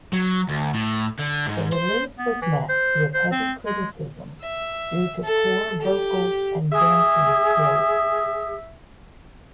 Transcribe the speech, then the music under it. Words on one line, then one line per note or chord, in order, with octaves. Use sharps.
The release was met with heavy criticism due to poor vocals and dancing skills.
F#3
D2
A2
D3
G#2
C5
B3
E3
C5
C5
C4
G#3
E5
A4
G4
G#4 E5